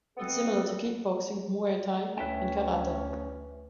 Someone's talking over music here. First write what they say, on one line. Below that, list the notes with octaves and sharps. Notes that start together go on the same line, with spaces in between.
It is similar to kickboxing, Muay Thai, and karate.
B2 B3 C4 A4 F#5 D#6
D2 A3 C#4 E4 B4 E5 G5